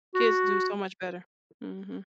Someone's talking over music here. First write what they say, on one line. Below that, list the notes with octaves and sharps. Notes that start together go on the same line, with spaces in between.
Kids do so much better. Mhm.
F#4